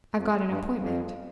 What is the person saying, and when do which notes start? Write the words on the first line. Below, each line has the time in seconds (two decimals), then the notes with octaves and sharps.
I've got an appointment.'
0.18 F2
0.50 G2
0.82 F2